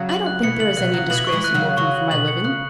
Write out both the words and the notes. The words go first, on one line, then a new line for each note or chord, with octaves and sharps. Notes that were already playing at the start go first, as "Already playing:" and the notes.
I don't think there is any disgrace in working for my living.
Already playing: C#3 F#3
F#7
F#6
B2 E3 C#7
C#3 F#7
B2 E3 F#6
C#3 F#3 F#6
B2 E3 F#7
C#6
E3 G#3
F#6
C#3 F#3
F#6
C#3 F#3 C#6
F#7
B2 F#7
C#7
C#3 F#6